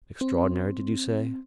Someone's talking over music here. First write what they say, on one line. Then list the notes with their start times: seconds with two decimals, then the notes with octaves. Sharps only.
"Extraordinary, did you say?"
0.21 C4